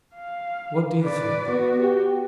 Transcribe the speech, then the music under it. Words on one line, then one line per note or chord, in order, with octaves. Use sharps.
'What do you think?
F5
B4 D5
B3 F#4
G4